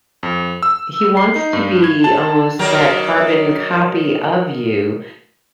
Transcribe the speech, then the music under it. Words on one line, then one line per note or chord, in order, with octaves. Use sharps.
he wants to be almost that carbon copy of you
F2
E6
C7
D#4
G2
G#6
A5
D#3 F#3 A#4